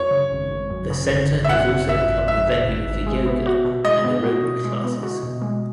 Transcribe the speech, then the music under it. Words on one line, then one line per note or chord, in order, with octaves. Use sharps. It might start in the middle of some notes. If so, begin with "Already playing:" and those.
The center has also become the venue for yoga and aerobic classes.
Already playing: F#2 C#5
C#3
G#1
G#1
F#2
C#3
G#1
G#1
E5
F#2 F#5
C#3
G#1 E5
G#1
F#2 E5
C#3
G#1
G#1
G#3
B3
F#4
B2
G#3 D#5
B3
F#4
B2
G#3
B3
F#4
B2
G#3